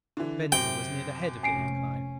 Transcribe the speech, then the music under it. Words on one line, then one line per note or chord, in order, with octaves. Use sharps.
Venza was near the head of the incline.
D3 E3
F#2 C3 G5
F1 C#4 G#5 C7 D7